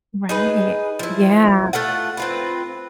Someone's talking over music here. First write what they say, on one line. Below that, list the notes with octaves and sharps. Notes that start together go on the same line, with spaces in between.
Right, yeah.
D#4 G#4 B4
F3 E4
A3 F4 A4 F#5
C4 F4 B4